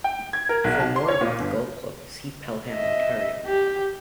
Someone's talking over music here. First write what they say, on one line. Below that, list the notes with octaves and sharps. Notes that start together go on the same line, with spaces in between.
For more about the golf club, see Pelham, Ontario.
G5
G#6
A#4
B1
A5
C6
C#5
A#2
G1
D#5 E5
G4